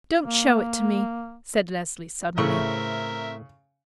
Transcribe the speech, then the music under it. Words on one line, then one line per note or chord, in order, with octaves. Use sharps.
"Don't show it to me," said Leslie suddenly.
A#3
A2 C#3 A3 C4 A#4 E5 C#6